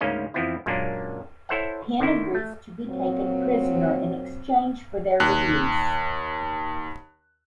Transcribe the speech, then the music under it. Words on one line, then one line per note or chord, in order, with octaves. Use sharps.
Pen agrees to be taken prisoner in exchange for their release.
D2 G#2 C#3 A#3 C#4 D#5
F2 E3 F3 B3 C4 E4
F#2 A#2 G#3 A#3 C#4 D4
E4 A4 C5 C#5 E5 F#5
D3 D#3 E4
A3
A#2 F#3 A#3 C4
D#2 F#6